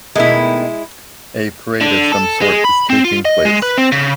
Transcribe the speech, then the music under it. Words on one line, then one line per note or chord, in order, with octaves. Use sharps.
A parade of some sort is taking place.
B2 D#3 G#3 A3 E4
D3
A4
G#3
B5
C4
F4
D#5
G#3
B4
C4
C#3